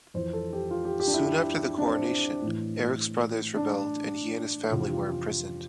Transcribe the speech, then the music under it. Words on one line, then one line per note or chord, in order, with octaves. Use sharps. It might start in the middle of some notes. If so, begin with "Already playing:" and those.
Soon after the coronation, Eric's brothers rebelled and he and his family were imprisoned.
F2 E3 C5
A4
G4
F4
G4
G4
D4
E4
D4
C4
A2
E3
D4
F2 C3 E3 F4
G4
F4